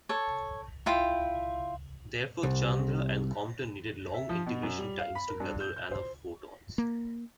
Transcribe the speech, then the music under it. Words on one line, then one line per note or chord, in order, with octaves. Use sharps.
Therefore, Chandra and Compton needed long integration times to gather enough photons.
A4 C#5
E4 F4 G5
C2
E5
F3
B2
F#2
G3
F5
B5
A#4
G2
G6
G6
C5
A#3